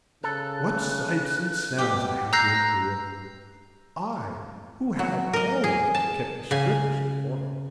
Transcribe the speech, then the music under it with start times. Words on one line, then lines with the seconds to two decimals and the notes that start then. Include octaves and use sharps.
What sights and sounds I had to endure--I who had always kept the strictest decorum!
0.24 C#3 A4 F#6
1.78 B2 G4 D6
2.33 A#5 E6 F#6 G6 A#6 C7
4.99 F#3
5.33 A#4 D#5
5.64 G#4
5.95 A5
6.51 C#3 G#5